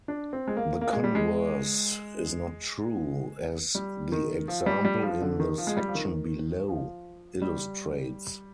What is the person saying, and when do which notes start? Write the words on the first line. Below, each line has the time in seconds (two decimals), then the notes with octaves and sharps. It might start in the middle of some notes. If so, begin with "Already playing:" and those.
The converse is not true, as the example in the section below illustrates.
0.08 D4
0.33 C4
0.47 G#3
0.57 A#3
0.81 A#3
0.93 G#3
1.04 G3
1.15 G#3
3.75 G3
4.12 D#3
4.48 F3
4.66 G3
4.85 G3
5.03 F3
5.22 D3
5.40 D#3
5.58 F3
5.67 G#3
5.77 G3
5.88 F3
5.95 D#3
6.68 F3
7.42 G3